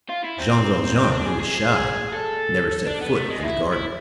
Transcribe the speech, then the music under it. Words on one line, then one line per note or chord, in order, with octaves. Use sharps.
Jean Valjean, who was shy, never set foot in the garden.
F4
E4
C4
C4
D4
G#4
G#4
G#4
A4
D4
B3
A3
G#3
E4
E4